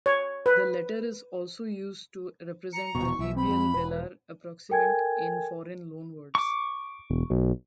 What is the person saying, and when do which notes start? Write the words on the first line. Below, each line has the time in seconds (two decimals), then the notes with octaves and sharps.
The letter is also used to represent the labial-velar approximant in foreign loanwords.
0.06 C#5
0.46 B4
2.72 A#5 C#7
2.95 D#1 B2 C#6
3.19 B1 E5
3.36 C4 B5
3.49 F2
3.74 E1 B4
4.70 A4 A#4 G5 G#5 G#6
6.35 C#6 D6
7.10 E1
7.30 B1